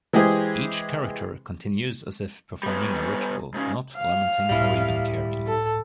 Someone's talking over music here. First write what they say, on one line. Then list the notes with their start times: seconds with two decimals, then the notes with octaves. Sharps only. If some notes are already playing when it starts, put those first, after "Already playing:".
Each character continues as if performing a ritual, not lamenting or even caring.
0.13 E3 G#3 G4 G#4 C5
2.63 G3 B3
3.54 G#2 C#3
3.97 F5
4.49 C#2 A2 G3 E4
5.47 A4